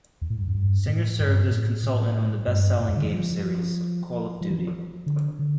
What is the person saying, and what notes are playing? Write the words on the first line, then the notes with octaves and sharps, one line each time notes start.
Singer served as consultant on the bestselling game series "Call of Duty".
E2
A2
G2
F2
G2
A2
G2
A2
A2
G2
A2
F2
D3
E3
F3
F3
E3
F3
D3
D3